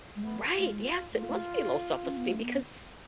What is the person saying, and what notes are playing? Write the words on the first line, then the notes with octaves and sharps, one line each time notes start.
Right, yes, it must be low self-esteem, because
G#3
A3 B3
A3 F4
G#3
F4
A3 F4
C#4
B3
A3
B3